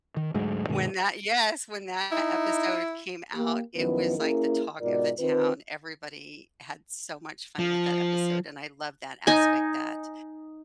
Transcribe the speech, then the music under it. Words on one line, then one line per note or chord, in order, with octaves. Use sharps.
when that Yes, when that episode came out, it was like the talk of the town, everybody had so much fun with that episode. And I love that aspect that
D#3
D2 G#2 F#3 G#3
G2 B2 D#3 G#3
D#4 E4
A#3 G4
F#2 D#3 F3 B3 E4 B4
A#3 C#4 E4 G#4 A#4
G#2 B2 F4 A#4 D5
D#3 C4 F4 B4
F3
D#4 G#5